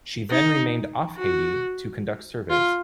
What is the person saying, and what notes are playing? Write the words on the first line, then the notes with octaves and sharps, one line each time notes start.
She then remained off Haiti to conduct surveys.
D#4
F#4
F4